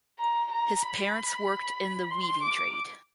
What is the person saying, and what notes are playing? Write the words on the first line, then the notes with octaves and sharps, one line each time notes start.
His parents worked in the weaving trade.
A#5
A#5
B5
C6
D6